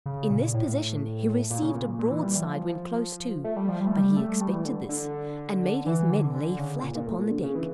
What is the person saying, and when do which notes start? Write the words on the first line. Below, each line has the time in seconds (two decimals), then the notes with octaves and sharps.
In this position he received a broadside when close too; but he expected this, and made his men lay flat upon the deck.
0.06 C#3
0.30 A#2
0.54 A2
1.50 A#2
1.62 C#3
1.75 A#2
1.99 A#2
2.11 E3
2.23 G3
2.35 E3
2.47 F3
3.44 A3
3.56 G3
3.68 F3
3.80 G3
3.87 A3
3.92 G3
4.17 A3
4.41 G3
4.53 E3
4.65 D3
4.89 D3
5.86 E3
6.10 D3
6.35 D3
6.59 C#3
6.83 A#2
6.95 A#2
7.07 A2
7.19 A#2
7.31 D3
7.43 C#3
7.55 E3